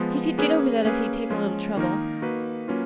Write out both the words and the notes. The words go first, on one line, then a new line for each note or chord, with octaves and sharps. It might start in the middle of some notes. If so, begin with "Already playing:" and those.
He could get over that if he'd take a little trouble.
Already playing: F3 G#3 B3
A#3 C#4 G#4 B4
A#3 C#4 G#4 B4
F3 G#3 C#4 F4
D#3 A#3 D#4 A#4
A#3 D#4 F#4 B4
F#3 A#3 C#4 F4 B4